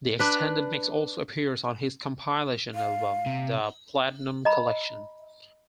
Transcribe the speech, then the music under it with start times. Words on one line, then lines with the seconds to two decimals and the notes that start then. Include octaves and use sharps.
The extended mix also appears on his compilation album "The Platinum Collection".
0.19 D4 B4
2.75 F5
3.26 C3
4.45 D#5 A#5 B5